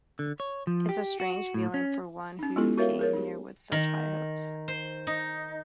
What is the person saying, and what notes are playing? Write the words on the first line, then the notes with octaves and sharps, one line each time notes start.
It's a strange feeling for one who came here with such high hopes.
D3
C#5
F3
G4
F#4
A2
C#4
C#4 D#4
G#3 B3 E4 F4 G4 A4
F#4 A#4 C#5 E5 F5
G#4 A#4 C#5
D#4 G4
D#3
C5
D#4